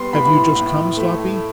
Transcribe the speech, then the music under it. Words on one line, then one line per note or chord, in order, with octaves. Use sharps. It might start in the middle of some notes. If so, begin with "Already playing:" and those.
'Have you just come, Sloppy?'
Already playing: G3 B3 C6
A2 B5
A2
A3